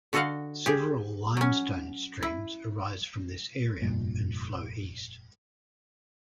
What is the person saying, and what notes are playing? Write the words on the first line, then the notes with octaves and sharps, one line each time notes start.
Several limestone streams arise from this area and flow east.
D3 F#4 A4 D#5 F5 F#5
G4 G#4
F#3 C#4
E4
F1 G2 A#2